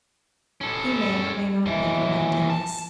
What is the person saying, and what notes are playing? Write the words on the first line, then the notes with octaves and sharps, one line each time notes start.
He may, or may not, be correct in this.
C#4 A4
D#2 E3
A5